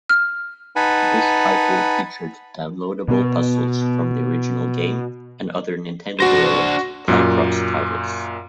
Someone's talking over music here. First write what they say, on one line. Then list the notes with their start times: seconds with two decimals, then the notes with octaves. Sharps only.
This title featured downloadable puzzles from the original game and other Nintendo-developed "Picross" titles.
0.09 F6
0.76 D#4 B4 F#5 G#5 A5 B5
3.08 B2 B3
6.20 D4 F#4 C5 A#6
7.08 F#2 A#2 A#3